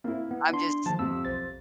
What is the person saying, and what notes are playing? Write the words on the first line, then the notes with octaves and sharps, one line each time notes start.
I'm just
A#3 C4 E4
B3
D4 C6
D#3 F3 A5
F2 C3 E6
B1 C5 A6